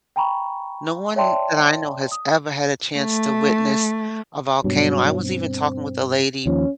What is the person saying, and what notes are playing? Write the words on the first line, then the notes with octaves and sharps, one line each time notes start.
No one that I know has ever had a chance to witness a volcano. I was even talking with a lady
G5 G#5 A#5 B5 C#6
C#5 D5 E5 G5 A5 C6
D#6
A3
G2 B2 F#3
C4
D#2 F3 C#4